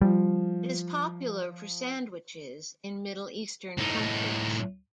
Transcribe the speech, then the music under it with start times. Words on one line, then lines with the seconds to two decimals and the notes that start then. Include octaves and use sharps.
It is popular for sandwiches in Middle Eastern countries.
0.02 F3 G3
3.78 A2 D#4